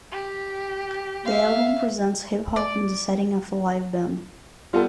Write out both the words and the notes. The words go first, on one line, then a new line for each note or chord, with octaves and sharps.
The album presents hip hop in the setting of a live band.
G4
E5 F5
D5
G3 B3 F4 A4